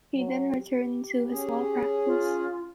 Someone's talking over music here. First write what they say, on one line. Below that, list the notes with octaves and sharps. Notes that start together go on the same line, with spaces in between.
He then returned to his law practice.
F#3
G4
C#4 G#4
F4